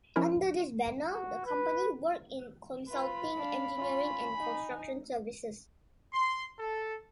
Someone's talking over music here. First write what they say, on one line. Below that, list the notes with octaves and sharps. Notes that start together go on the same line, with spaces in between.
Under this banner, the company worked in consulting, engineering and construction services.
F3 C#4 D#4 E4 A#4
F#4
B4
F4 B4 B5
D4 F5
C#4 F4
D#4 G#5
C6
A4